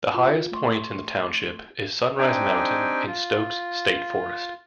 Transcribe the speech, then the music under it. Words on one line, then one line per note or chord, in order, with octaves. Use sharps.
The highest point in the township is Sunrise Mountain in Stokes State Forest.
F4
A3 C6 C#6
C4 D4 D#4 G4 G5 G#5
F4